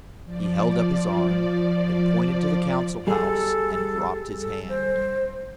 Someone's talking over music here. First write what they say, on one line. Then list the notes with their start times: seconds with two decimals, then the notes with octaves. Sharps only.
He held up his arm, then pointed to the Council House and dropped his hand.
0.25 F3 D5
3.07 G3 G#4 A4
4.40 A4
4.69 C5